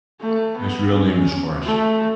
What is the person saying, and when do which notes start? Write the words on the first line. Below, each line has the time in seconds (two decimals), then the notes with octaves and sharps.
His real name is Horace.
0.21 A3
0.57 B3
0.94 C#4
1.66 A3